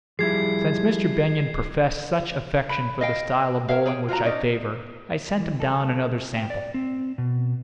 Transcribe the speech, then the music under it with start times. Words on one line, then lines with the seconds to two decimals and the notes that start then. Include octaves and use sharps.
Since Mr. Benyon professed such affection for the style of bowling which I favoured, I sent him down another sample.
0.19 F3 G3 E4 G#4 G#6 C7
2.69 B4 B5
3.01 D#5 F5 G5
3.68 A#4 C#5 E5 F5
3.86 G#4 C#5 G5
4.08 F4 F#4 F#5 A#5
4.24 C#4 D#4 D5 D#5
5.40 E3
5.60 A4
6.37 G5
6.50 D5
6.74 C4
7.18 B2